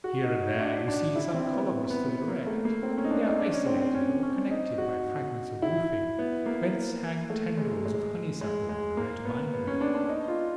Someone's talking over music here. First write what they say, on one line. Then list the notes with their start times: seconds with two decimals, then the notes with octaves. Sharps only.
Here and there you see some columns still erect; they are isolated or connected by fragments of roofing, whence hang tendrils of honeysuckle and red bind-weeds.
0.04 F#4
0.23 D#4
0.42 D#4
0.60 D4
0.88 D4
1.16 E4
1.34 C4
1.53 B3
1.90 B3
2.09 B3
2.28 A#3
2.47 A3
2.65 A#3
2.83 C4
2.98 C#4
3.04 D#4
3.11 D4
3.25 D#4
3.39 D4
3.53 C#4
3.66 C4
3.81 C4
3.94 C#4
4.23 C#4
4.50 D#4
4.78 F#4
5.62 E4
6.19 B3
6.46 A#3
7.30 A3
7.57 G#3
7.86 G#3
8.41 G#3
8.69 G#3
8.97 A#3
9.25 B3
9.53 B3
9.67 C#4
9.81 D4
9.95 D4
10.09 D#4
10.28 F4